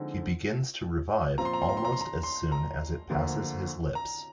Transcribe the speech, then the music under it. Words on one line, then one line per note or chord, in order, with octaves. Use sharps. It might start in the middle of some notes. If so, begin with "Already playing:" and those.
He begins to revive almost as soon as it passes his lips.
Already playing: D3 F3 G#3 C4 D#4
A#2 F3 C4 F4 A#5
C6
A#5
C6
A#5
C6
A#5
C6
A#5
C6
A#5
D2 D3 F3 A#3
A#5